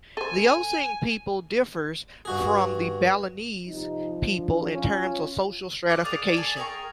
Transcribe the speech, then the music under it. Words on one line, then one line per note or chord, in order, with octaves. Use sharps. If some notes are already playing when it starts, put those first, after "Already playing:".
The Osing people differs from the Balinese people in terms of social stratification.
A4 C5 G#5
G2 F#4 G#4
C3 F3 G3 D#4
G#1 D4
C#4 F4
A#4 D6 F#6 G6
G#4 D5 F5 D6
G#4 A4 D5 G#5
G#4 A#4 G5 C#6